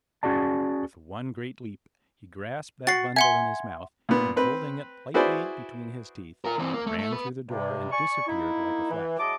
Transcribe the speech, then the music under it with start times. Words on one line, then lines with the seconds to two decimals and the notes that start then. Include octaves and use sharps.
With one great leap, he grasped that bundle in his mouth and, holding it lightly between his teeth, ran through the door and disappeared like a flash!
0.23 C#4 F#4 G#4 D5 A5
2.87 F#4 A6 C7
3.16 E5 F#5 G#5 C6
4.09 A#2 B3
4.36 C4 B4
5.14 E4 F#4 G#4 B4 C5 D5
6.45 F4 A#4
6.59 E3 C4
6.74 A#3
6.87 A3
6.98 A3
7.13 B3 B4
7.49 G2 C3
7.92 D5 G#5 C#6
8.27 A#3 D#4 E4
8.91 E3
9.18 F#3 G#3 E4 D#5 A5 D6